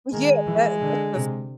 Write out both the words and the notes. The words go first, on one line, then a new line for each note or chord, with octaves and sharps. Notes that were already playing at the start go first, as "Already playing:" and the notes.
Yeah, that that's just
D#3 G#3
E3
D3
C3